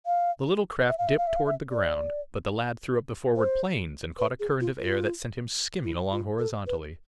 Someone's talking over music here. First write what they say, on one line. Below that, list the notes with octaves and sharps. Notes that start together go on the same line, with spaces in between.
The little craft dipped toward the ground, but the lad threw up the forward planes, and caught a current of air that sent him skimming along horizontally.
F5
E5
F5
E5
F5
E5
F5
E5
D5
C5
B4
G#4
F4
F4
E4
F4
A4
B4